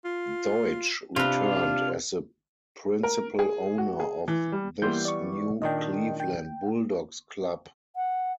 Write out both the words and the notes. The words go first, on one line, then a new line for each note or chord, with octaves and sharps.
Deutsch returned as the principal owner of this new Cleveland Bulldogs club.
F4
C3 D4 F4 B4
A#4
G#4
F#4
G#4
E3
G3
E3 G3 A#3 B3 C6 G6
D5 C#6
A#2 D#3 D4 D#5 G5
G5
F#5